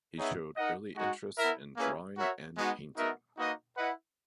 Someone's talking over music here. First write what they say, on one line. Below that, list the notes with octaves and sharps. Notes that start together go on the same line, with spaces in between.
He showed early interest in drawing and painting.
B3 D#4 G#4 C#5 E5
D#4 A#4 D#5 F#5
G#3 D#4 F#4
B3 E4 A#4 E5
A#3 C#4 E4 G#4 B4
F#4 A#4 C#5 E5
G#3 B3 D#4 F#4
B3 D#4 F#4 A#4 E5
A#3 D#4 F#4 B4 D#5
E4 B4 D#5 F#5